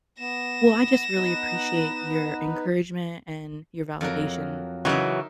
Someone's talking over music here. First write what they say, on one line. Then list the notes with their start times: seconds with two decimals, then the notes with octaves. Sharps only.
Well, I just really appreciate your encouragement and your validation.
0.20 B3 A#6 E7
1.16 B3 D#4 B4
4.01 F2 F#3 A#4
4.85 C#3 E3 F#3 D#4 A#4 E5